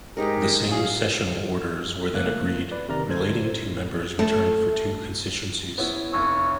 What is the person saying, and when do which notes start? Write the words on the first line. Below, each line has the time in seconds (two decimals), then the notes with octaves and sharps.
The same sessional orders were then agreed relating to members returned for two constituencies.
0.17 G#2 D#4 G4 G#4 A#4 D#5
0.68 F#2 G#4 F5
2.13 C#2 A3 A#3 F#6
2.71 B4 D5
2.88 C3 D#3 A#4 D5 A#5
3.09 D2 A4 C5 G#6
4.19 A3
5.78 B3 C#4 E4
6.13 F1 C#5 E6